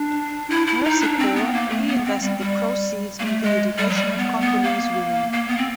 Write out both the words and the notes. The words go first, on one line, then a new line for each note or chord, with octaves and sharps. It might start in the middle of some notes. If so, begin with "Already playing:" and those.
Mercy Corps reinvests the proceeds in the education of Congolese women.
Already playing: D4
E4
E4
D#4
D4
C4
B3
A#3
A3
B3
C4
G3
G3
A#3
A3
G#3
G3
F#3
G3
B3
B3
A#3
A#3
B3
C4